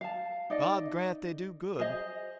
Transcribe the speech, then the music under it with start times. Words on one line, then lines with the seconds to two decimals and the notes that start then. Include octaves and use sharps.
God grant they do good!
0.01 F5 A5
0.50 D#4 D5 D#5
1.79 G#4 C5 D#5